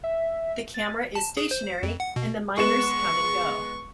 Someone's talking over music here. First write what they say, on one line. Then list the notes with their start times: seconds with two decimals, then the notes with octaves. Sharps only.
The camera is stationary and the miners come and go.
0.04 E5
0.74 A6
1.15 A5
1.37 G#4
1.51 C5
1.83 F2
2.00 F#5
2.16 B2
2.58 G#3 B3 C#6 E7